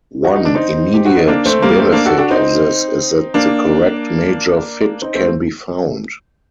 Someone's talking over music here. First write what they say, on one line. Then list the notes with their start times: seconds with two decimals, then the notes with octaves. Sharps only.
One immediate benefit of this is that the correct major fit can be found.
0.25 F#4
0.36 D#4
0.45 D4
0.55 C4 D#4
0.94 G4
1.05 F#4
1.16 D#4
1.27 A#3 D4
1.45 A3 C4
1.62 G3 A#3
1.79 A3 C4
1.92 A#3 D4
2.06 F#4 A4
2.18 D4 F#4
2.31 C4 D#4
3.34 A#3 D4
5.02 C4 D#4
5.15 A3 C4